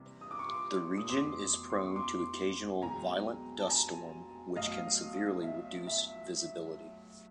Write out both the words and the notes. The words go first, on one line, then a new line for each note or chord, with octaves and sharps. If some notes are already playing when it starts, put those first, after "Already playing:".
The region is prone to occasional, violent dust storm, which can severely reduce visibility.
Already playing: C3 E3 G3 A#3
D#6
D6
C#6
C6 D6
D#6
F1 E2 B2 C6 D6
C6
C#6
C6 D6
B1 B2 G#3 C4 G#5 A#5
A5
G#5 A#5
B1 A2 F#3 D#5 F5
E5
E5